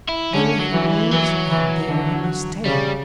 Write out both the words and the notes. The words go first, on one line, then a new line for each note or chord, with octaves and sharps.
There he was, and there he must stay.
E4
D3 C#4
F#3
E3
E3
E3 F#3
E3
D3
C#3 G3